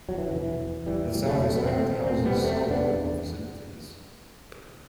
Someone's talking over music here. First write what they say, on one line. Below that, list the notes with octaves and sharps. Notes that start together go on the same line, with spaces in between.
The Southern Stand houses some corporate facilities.
E2 F#3
E3
D3
B2 E3
E2
E2 E3 G3
B2 G3
F#3 A3
E2
B3
E2 A3 C4
E2
A3 C4
B2
G3 B3
E2 A3 C4
E2 B3 D4